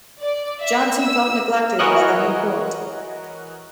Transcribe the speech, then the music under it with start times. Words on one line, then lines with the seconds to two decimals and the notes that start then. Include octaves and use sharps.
Jonson felt neglected by the new court.
0.21 D5
0.60 E5
0.99 E6
1.79 E3 F#4 A#4 C#5 D#5 F#6